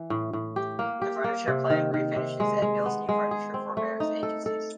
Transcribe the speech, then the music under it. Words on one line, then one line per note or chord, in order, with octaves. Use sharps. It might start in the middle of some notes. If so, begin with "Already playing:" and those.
The furniture plant refinishes and builds new furniture for various agencies.
Already playing: E3
A2
A2
G4
A#3
G4
A#3
C3
D#3
D#3
C3
G#3
G#3
B3
G#3
G#4
C4
A3
D#4
A4
A4